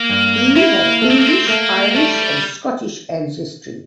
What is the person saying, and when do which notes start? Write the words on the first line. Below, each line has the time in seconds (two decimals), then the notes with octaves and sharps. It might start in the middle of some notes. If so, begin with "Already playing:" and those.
He has English, Irish, and Scottish ancestry.
Already playing: A#3
0.10 G2
0.56 A#3 E4
1.02 A3
1.10 C4
1.19 A#3
1.27 C4
1.48 A3 A#3
1.95 G3 A3